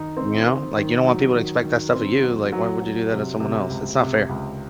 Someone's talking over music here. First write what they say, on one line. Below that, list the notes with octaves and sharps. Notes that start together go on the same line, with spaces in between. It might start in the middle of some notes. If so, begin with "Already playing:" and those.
You know? Like, you don't want people to expect that stuff of you, like, why would you do that to someone else? It's not fair.
Already playing: D#3 D#4
C4
C4
D#3
F#3
D#3
D#3
C4
F#3
F#3
F#3
C3
C3
C#2
C3
C#2